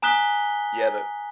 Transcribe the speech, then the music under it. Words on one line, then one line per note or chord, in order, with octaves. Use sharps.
Yeah, the
G#5 A#5 D#6 F#6 B6 G7